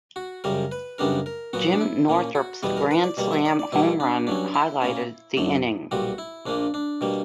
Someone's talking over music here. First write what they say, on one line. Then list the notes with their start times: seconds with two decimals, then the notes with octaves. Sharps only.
Jim Northrup's grand slam home run highlighted the inning.
0.16 F#4
0.44 F#2 C#3 G3 A#4
0.72 B4
0.98 F#2 C#3 G3 B3 D4 A#4
1.26 A#4
1.53 A#2 F#3 B3 F#4
1.72 D4
1.81 E4
2.08 A#2 A#3 C#4
2.35 F#4
2.63 E2 B2 G3 B3 B4
2.77 A#4
2.91 B4
3.03 D5
3.17 B2 G3 A#3 D5
3.31 E5
3.45 D5
3.59 D5
3.72 B2 G3 A#3 E4
4.00 D4
4.27 G2 F#3 C#4 D4
4.54 E4
4.82 A#2 A#3 C#4
5.37 F#2 D3 F#3
5.91 B1 A#2 G3 F#4
6.18 E4
6.46 A#1 A#2 A#3 D4
6.74 D4
7.01 B2 G3 A#3